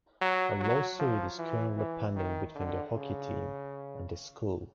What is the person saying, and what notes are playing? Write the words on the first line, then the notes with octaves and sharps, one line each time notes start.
A lawsuit is currently pending between the hockey team and the school.
F#3
F#3
F3
E3
E3
D#3
D3
C#3